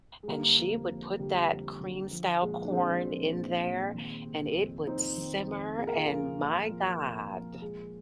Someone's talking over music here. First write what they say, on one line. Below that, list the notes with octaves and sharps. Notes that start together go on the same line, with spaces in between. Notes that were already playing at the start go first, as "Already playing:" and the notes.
and she would put that cream-style corn in there, and it would simmer, and my god.
G#3
D3 G3 A#3
F2
F2
D3 G3
F2
D3
F3
A#2 G#3
D4
F3 G#3 C4
F3
A#2
A#2
D#3
C3
F2
F2 C4 D#4
D#3
F2
A#2 G#4
A#4
F4 G#4
F3
A#2
F3
A#2
F3
A#2 G#3